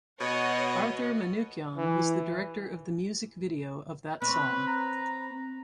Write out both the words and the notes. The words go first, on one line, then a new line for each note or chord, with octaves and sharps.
Arthur Manukyan was the director of the music video of that song.
B2 C#5 D#5 F#5
E3
C4 B4 C#5
A#5